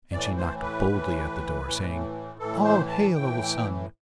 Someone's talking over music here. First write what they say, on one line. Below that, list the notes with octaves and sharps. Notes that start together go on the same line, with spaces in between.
And she knocked boldly at the door, saying, 'All hail, O Sun!
A2 E3 D5
C5
B4
A2 E3
A2 E3
A2 E3 A4
C5
A5
A2 E3 G5